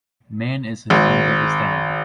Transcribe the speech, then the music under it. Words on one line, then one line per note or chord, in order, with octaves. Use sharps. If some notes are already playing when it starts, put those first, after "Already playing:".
Man is his own biggest enemy.
G#1